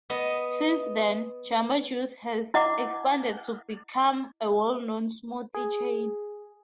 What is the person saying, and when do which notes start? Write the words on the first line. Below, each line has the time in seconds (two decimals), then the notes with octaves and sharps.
Since then, Jamba Juice has expanded to become a well known smoothie chain.
0.10 B3 D#5
2.54 E4 D#5 F#5 D6
5.55 G#4